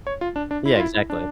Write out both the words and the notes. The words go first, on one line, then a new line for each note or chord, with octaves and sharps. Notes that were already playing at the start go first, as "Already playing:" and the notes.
Yeah, exactly.
C#5
F4
D4
D4
E4
F4
E4
E4
D4